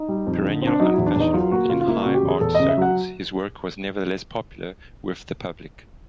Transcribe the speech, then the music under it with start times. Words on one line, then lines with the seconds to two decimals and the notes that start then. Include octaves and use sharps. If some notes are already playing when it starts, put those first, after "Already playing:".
Perennially unfashionable in high art circles, his work was nevertheless popular with the public.
Already playing: D#4
0.09 G3
0.26 F2
0.44 D3
0.62 C4 D4
0.80 F#3 D#4
0.94 E2 E4
1.06 D4
1.16 E2 D#4
1.34 F#3 F4
1.52 A#3 F#4
1.69 C#3 F4
1.81 F4
1.88 A#3 E4
2.02 C#3 F#4
2.14 G4
2.23 E2
2.28 G#4
2.41 E2 A4
2.55 C#3 D#5
2.68 E5
2.77 F#3 F#5